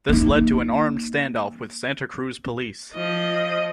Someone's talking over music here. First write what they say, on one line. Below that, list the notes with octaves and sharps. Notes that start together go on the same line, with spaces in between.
This led to an armed standoff with Santa Cruz police.
A#3 D#4
F3 D#5